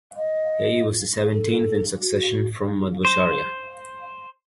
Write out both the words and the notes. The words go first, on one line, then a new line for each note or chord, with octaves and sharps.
He was the seventeenth in succession from Madhvacharya.
D#5
A4
F#4
C5